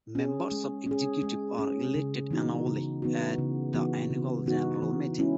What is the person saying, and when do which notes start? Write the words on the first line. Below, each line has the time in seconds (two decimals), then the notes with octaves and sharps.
Members of the executive are elected annually at the Annual General Meeting.
0.15 C#4 G#4
0.52 G#3
0.86 C#4 G#4
1.23 G#3
1.59 C#4 G#4
1.95 C#3
2.31 E3 B3 D#4 F#4
2.66 C#3
3.02 E3 B3 D#4 F#4
3.38 C#3
3.74 E3 B3 D#4 F#4
4.10 C#3
4.46 E3 B3 D#4 F#4
4.82 E3
5.18 G#3 C#4 E4